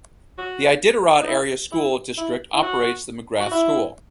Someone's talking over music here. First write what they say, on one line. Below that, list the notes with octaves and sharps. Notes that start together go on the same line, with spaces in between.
The Iditarod Area School District operates the McGrath School.
F#4
D#4
E4
E4
E4
E4
F#4
F#4
E4